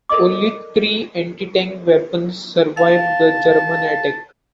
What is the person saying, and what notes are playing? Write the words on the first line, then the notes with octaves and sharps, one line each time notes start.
Only three antitank weapons survived the German attack.
A4 A#4 D5 D#5 D6
F5 A5